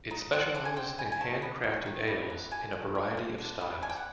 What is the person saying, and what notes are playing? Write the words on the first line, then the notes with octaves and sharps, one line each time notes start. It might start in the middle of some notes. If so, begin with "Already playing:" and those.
It specializes in handcrafted ales in a variety of styles.
D#4
C4 F#5
D3 F#5
G#5
C4 G5
G3 G#5
G#5
D#3 A5
B3
D#3
D#3
G3
B3
D3 G#5
D3
A#3
D3
D3
G3
D3 G#5
G5
F#5